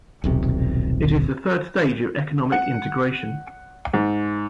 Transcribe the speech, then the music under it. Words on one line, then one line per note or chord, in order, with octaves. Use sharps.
It is the third stage of economic integration.
D#1 B1 C3
F#5
G#2